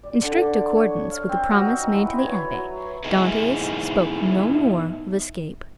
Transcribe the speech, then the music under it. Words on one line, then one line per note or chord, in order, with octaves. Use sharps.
In strict accordance with the promise made to the abbe, Dantes spoke no more of escape.
D5
D3
D6
C#5
F5
C4
F#4
D#4
E3
B4
C#5
F#3
B3 D#4 E4 G#4 D#5 E5